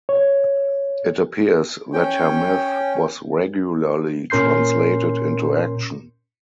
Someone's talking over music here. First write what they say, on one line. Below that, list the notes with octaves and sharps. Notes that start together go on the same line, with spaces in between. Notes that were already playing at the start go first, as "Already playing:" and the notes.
It appears that her myth was regularly translated into action.
C#5
C#4 G5
A#2 C#4 A#4 C6 G6 C7